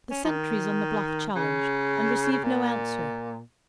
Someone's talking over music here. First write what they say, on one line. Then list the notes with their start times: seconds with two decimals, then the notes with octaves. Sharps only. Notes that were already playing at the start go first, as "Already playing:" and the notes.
The sentries on the bluff challenged, and received no answer.
0.10 C#4
0.25 F3
0.29 D#3
1.35 C#3
2.32 C#3
2.44 A#2